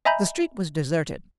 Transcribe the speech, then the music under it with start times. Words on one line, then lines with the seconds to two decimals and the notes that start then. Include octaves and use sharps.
The street was deserted.
0.05 D#5 E5 G#5 A#5 B5 G6